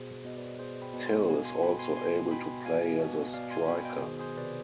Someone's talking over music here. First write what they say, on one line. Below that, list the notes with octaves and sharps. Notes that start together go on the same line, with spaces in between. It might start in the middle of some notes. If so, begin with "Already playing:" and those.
Till is also able to play as a striker.
Already playing: B2 G#4 C5
B2 D#5
B4 D5
B2 G#4 C5
G5 B5
B2
G#5 C6
B2 F5 G#5
G#5 C6
B2 G5 B5
G#5 C6
B2 G#5 C6
B2 G5 B5
B2 F5 G#5
B2
B2 D5 F5
G#5 C6
B2 G5 B5
D#5 G5
D#3 G#4 C5
G#4 C5
C3 B4 D5